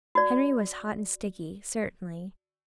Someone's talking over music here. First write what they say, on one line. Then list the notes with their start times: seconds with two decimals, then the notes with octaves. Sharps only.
Henry was hot and sticky, certainly.
0.15 F#4 D5